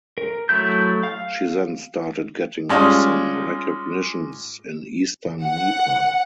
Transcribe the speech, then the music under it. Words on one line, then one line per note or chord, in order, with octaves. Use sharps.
She then started getting some recognitions in eastern Nepal.
A#4
F#3 A3 E4 G6
F5
G3 G#3 C#4 F4
F#5